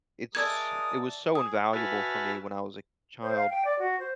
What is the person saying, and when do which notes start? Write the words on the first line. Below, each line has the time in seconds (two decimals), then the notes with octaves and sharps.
it's it was so invaluable for me when I was a child.
0.35 G#3 A4 A#4 D5 E5 D#6 G#6
1.35 G#4 G#5 D#6
1.73 F#4 B4 E5 G#5 A5 F6
3.23 C5
3.36 F5
3.50 G5
3.65 D5
3.79 F#4
4.00 C5